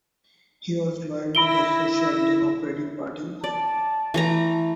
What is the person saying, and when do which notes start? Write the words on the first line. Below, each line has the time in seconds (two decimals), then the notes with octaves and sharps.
He was loyal to the Social Democratic Party.
1.35 E4 B5 E6 A#6 D7 G7
3.44 D5 A5
4.14 E3 A3 A#5